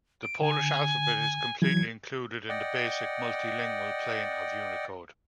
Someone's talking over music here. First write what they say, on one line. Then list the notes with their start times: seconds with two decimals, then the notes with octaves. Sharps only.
The Polish alphabet is completely included in the Basic Multilingual Plane of Unicode.
0.23 D7
0.41 D3 G#5
1.62 E3 F#3 G#6
2.49 D5 D#5 F#5 G5